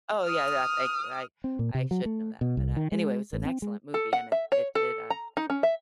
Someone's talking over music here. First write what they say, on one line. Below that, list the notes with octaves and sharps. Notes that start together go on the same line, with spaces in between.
Oh, yeah, yeah, thank you, I I should know that, but, uh, anyway, it was an excellent movie, and it it did, uh,
D#6 F6
C4
A#2
C3
F#3
A3
B2
C2
D#3
G#3
A1
C4
G#3
A4
F#5
E5
C#5
A4
A#5
D#4
C#4
E5